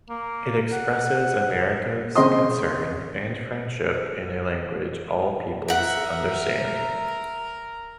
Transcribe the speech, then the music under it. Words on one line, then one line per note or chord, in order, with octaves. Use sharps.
It expresses America's concern and friendship in a language all peoples understand.
A#3
F#5
C#3 C4 D#5 C6 D#6
A#4 E5 F#5